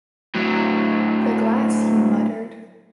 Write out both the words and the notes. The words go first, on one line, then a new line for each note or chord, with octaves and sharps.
"The glass," he muttered.
A2 F#3